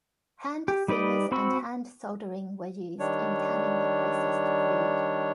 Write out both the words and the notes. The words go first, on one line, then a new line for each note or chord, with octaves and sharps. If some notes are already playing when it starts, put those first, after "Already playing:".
Hand seamers and hand soldering were used in canning the processed food.
G4
G3 D#4 B4 D5 D#5
C4 F#4 B5 C#6 E6
D#3 G3 D4 C#5